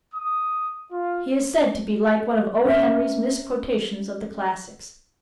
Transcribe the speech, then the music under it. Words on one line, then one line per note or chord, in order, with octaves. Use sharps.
He is said to be like one of O. Henry's misquotations of the classics.
D#6
F4
C#4 A#4 E5